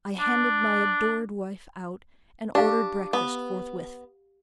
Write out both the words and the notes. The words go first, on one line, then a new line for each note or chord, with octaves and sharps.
I handed my adored wife out, and ordered breakfast forthwith.
D4
D4 G4 F5
B3